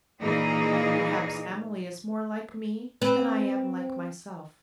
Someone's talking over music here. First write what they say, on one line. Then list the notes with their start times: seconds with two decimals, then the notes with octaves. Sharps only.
Perhaps Emily is more like me than I am like myself.
0.20 A#2 E3 A#3 D#4 G#4
3.02 C4 B4